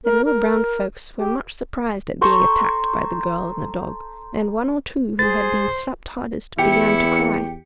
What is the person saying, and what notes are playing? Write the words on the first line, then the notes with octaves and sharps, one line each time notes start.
The little brown folks were much surprised at being attacked by the girl and the dog, and one or two who had been slapped hardest began to cry.
A#4
A#4
G4
A4 C5 A#5 C#6
G#4 C5 A6
E2 E4 G4 C#7